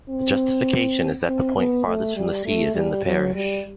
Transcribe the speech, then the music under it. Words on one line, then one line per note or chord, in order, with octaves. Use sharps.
The justification is that the point farthest from the sea is in the parish.
C4
C4
B3
A3
G3
A3
G3
F#3
G3